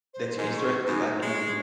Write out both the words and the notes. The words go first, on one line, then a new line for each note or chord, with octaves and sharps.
that you're interested like, you
C5
G#2 D#5
C#6
F#2 D#4
G#3 C#5